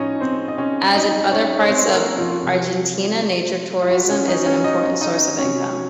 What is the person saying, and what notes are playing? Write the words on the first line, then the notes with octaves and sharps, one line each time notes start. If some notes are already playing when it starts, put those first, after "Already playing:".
As in other parts of Argentina, nature tourism is an important source of income.
Already playing: A2 F3 C#4 D#4 C#5 D#5
C4 C5
D#5
C#4 C#5
D#4 D#5
C#4 C#5
C#5
C4 C5
A4
A#3 A#4
F3 F4
C3 F3
F4
F#3 F#4
C#4 C#5
D#4 D#5
C#4 C#5
D#4 D#5
D#4 D#5
C3 F#3 C#4 C#5